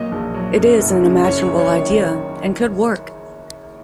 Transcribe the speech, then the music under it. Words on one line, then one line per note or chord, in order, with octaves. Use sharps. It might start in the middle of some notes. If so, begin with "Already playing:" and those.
It is an imaginable idea and could work.
Already playing: A#2 F#3 D#5
A#1
F#3
F#2
F#1
C#3
F#2 C#5
F#1
C#5
D#3